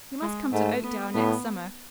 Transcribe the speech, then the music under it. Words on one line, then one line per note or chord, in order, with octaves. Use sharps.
You must come to Oakdale next summer.
G#3
G#2 A3
B3
A2 B3